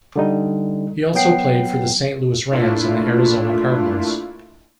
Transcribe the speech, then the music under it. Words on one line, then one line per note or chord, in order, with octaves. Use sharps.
He also played for the Saint Louis Rams and the Arizona Cardinals.
D3 G3 D#4
F#3 B3 G5 C7
A#2 A3 D4 E4 F4